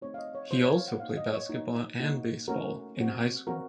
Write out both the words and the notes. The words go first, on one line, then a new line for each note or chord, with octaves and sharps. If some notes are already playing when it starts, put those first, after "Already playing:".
He also played basketball and baseball in high school.
A3 C4 D#4 F#4 C#5
F5
D#5
C#5
C4 F4 C5
C#5
F5
F#5
A#3 D#4 F#4 F5
D#5
C#5
A#3 D#4 F#4
A#3 D#4 F#4
A3 C#4 F#4 A#4
C4 F#4
C4 F#4 A#4